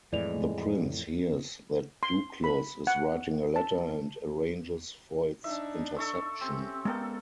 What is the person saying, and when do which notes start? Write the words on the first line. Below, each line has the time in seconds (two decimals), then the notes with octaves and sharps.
The Prince hears that Duclos is writing a letter, and arranges for its interception.
0.13 F2 A2 E3 G#3 D5 F7
2.03 C6
2.44 B5
2.87 F#5
3.56 A5
5.44 D4 D#4 E5
5.96 A4 C#6 E6
6.41 C4 C#4 G4
6.85 G#3 A#3 B3 A4 G5